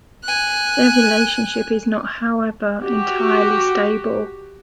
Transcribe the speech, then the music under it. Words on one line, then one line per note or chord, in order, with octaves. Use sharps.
Their relationship is not, however, entirely stable.
G#5 F#6
F#4 G4